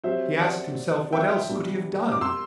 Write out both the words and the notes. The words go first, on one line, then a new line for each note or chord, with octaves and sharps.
He asked himself what else could he have done.
F#3 C4 G4 C5 E5
D5 F#5
E5 G5
B2 G3 B3 D4
D6
C6 E6